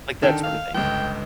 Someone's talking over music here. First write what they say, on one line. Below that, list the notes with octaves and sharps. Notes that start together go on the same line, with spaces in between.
like, that sorta thing,
D3 D#3 A4 G5
F5
G1 C#2 G5